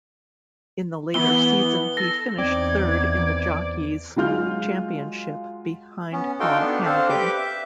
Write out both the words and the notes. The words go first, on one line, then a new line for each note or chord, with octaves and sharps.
In the latter season he finished third in the Jockeys' championship behind Paul Hanagan.
E3 B3 G7
A4 A#6
E2 C4 D#4 D5 D6 G#6
F#3 G#3 F4 F6 G6
B3 C#4
D#4 F#4 A4 F5 G5 C6
B3 D4
C4 D4 A4 C5 F5
G4 B4 D6 G6
E5